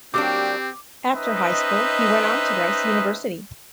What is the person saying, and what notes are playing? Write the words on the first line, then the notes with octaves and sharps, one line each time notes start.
After high school, he went on to Rice University.
F#3 A#3 C4 D4 G4 D6
C#4 D#4 B4 C5 D#5 E5